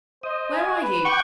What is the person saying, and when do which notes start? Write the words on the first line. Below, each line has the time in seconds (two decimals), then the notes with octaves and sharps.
"Where are you?"
0.23 C5 D#5
0.53 G#5
0.82 B4
1.05 F#5 G5 C#6 D6